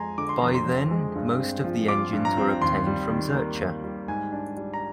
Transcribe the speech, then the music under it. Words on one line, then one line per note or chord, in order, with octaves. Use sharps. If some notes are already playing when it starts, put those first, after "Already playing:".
By then, most of the engines were obtained from Zurcher.
Already playing: F2 G#3 G#5 A#5 C6
D3 D6
C6
F2 A#5
C6
F2
G#3
G2
C4
F3
F4 D6
G2
A#5
C4
D#2 C6
G3
D#3
A#3
D#2
G3
G#2 G#5
D4
G3
A#5